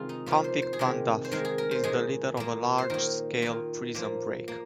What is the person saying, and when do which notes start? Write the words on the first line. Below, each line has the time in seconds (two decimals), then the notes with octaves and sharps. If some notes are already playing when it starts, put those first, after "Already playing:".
Convict Van Duff is the leader of a large-scale prison break.
Already playing: C3 D#3 G#3 F4 A#4
0.09 D#4
0.26 C3 F3 A#3 F4
0.44 C5
0.62 C5
0.73 G#4
0.79 C3 D#3 G#3 A#4
1.25 C5
1.31 D#3 G#3 A#4
1.45 G#4
1.58 A#4
1.71 C5
1.84 A#2 G#3 G#4
2.37 A#2 A#3
2.78 C5
2.90 D#3 A#3 A#4
3.42 D#3 A#3 F4
3.95 A#2 F3 A#3
4.48 A#3